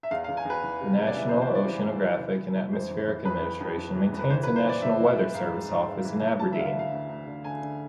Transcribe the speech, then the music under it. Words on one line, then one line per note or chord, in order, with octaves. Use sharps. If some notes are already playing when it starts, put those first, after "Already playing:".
The National Oceanographic and Atmospheric Administration maintains a National Weather Service office in Aberdeen.
E5
E2 F5
F5
E2
G#5
E2 B4
E3
C3
E2
D5
E3 E5
C5
E3
C5
E3 D5
E3
E2
E3
E3
E3
E3
F2 C5
E3
E3
F2 B4
F2
F2
F2
E3
F2
B4
E3 C5
B4
E3
C5
E3 D5
E3 E5
E3
E3
G#2 F5
G#2
G#2
G#2
E3
E3
D2 A5
E5
D3 F5
E5
D2 F5
D2
D2
D3
D3 G#5
D3